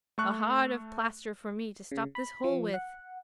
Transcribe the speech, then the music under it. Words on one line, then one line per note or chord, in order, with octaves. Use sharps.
A hod of plaster for me to stop this hole with!
A3 A4 C#6 F#6
C#3
B5
F3
F#5